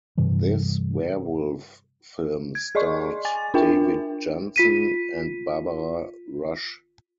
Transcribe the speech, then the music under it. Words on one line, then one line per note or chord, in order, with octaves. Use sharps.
This werewolf film starred David Janssen and Barbara Rush.
G2 C3 E3 G3
G#6
G#4 D5 D#5 C6 C#6
G#5 A6
D4 F4 A#4 E5 G5
F4 B6 D#7